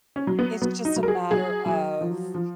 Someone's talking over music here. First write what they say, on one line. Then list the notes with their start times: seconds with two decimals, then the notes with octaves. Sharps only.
it's just a matter of,
0.16 C#4
0.27 F#3
0.39 B3
0.62 F#3 B3
0.85 D#4
0.96 F#3
1.03 A#4
1.08 G#4
1.31 F#3 G#4
1.66 F#3
2.01 F3
2.35 F3